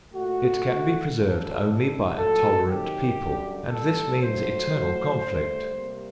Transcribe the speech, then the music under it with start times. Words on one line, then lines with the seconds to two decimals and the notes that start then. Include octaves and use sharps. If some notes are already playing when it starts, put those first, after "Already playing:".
It can be preserved only by a tolerant people, and this means eternal conflict.
0.14 A#2 A3 F#4
0.65 A2 A3
1.16 G2 D3 F#3 A#3 A4
1.66 C3 D#3 G3
2.17 A#2 F#3 A3 A4
2.68 C3 D#3 F#3 A#3 G4
3.19 F#2 D3 G3
3.70 A2 G3 A#3 A4
4.21 G2 F#3 A3 C5
4.71 A2 F#3 A3
5.23 G2 D3 A3
5.73 C3 G3 A#3